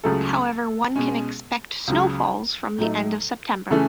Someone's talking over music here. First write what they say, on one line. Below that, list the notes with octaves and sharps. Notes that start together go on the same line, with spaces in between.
However one can expect snowfalls from the end of September.
C#2 C#3 F#3 A3 C#4 A4
B2 G#3 C#4
C#2 C#3 F#3
A2 F#3 A3 D#4
C#3 E3 A3 C#4 A4